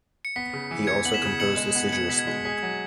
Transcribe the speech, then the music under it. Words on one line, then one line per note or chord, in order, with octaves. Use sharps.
He also composed assiduously.
C#7
B3 B6
C#3
E3
E2 G#6 C#7
B3 F#7
B6 E7
C#3
B2 C#7 F#7
G#3
B3
B2 G#6 C#7
B2 B6
G#6
G#3 B6
G#4 B6
F#3